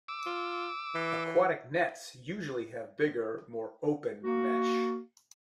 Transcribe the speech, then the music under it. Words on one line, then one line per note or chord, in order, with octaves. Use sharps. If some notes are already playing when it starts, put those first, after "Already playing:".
Aquatic nets usually have bigger, more 'open' mesh.
D6 E6
F4
E3
A#3 F#4